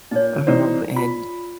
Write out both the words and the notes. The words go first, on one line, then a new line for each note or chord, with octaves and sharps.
uh-huh um, and
A#2 D#4 C#5
E3 D#4 C5 D5
F4 B5